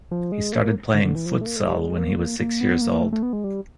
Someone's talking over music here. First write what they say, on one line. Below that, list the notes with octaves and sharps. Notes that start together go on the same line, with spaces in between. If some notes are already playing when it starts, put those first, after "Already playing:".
He started playing futsal when he was six years old.
F3
G#3
A#3
D3
D3
E3
F3
E3
A3
A#3
A3
G3
G#3
A#3
A#3
A#3
B3
A#3
A3
A3
B3
G#3
G3